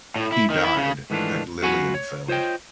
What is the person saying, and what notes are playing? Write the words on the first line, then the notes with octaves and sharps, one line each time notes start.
He died at Lilienfeld.
A2
E4
D#3
E4
C#3
G#2 D#3 E3 A3 D4 F4
F#2 F4 F#4 F#5 G#5 B5
C#5
F4 C5 C#5 D#5 G5